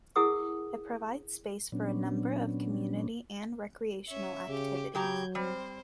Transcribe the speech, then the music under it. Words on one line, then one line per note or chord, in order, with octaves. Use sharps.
It provides space for a number of community and recreational activities.
E4 G#4 A#4 F#5 D#6 E6
A#2 F#3 B3 C#4 D4
C#4 E5
C#3 G4
C#3 F#3 G4 A#5 G6 G#6
G3 C4 C5